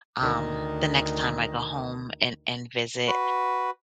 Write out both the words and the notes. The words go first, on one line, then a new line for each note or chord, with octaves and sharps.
um, the next time I go home and and visit.
D2 D#3
F#4 B4